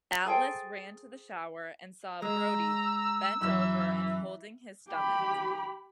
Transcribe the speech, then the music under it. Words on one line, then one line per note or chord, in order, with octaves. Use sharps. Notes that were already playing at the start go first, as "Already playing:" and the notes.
Atlas ran to the shower and saw Brody bent over and holding his stomach.
G#4 A4 C5 G5
G#3 A#5 E6
F#2 E3
G4 B5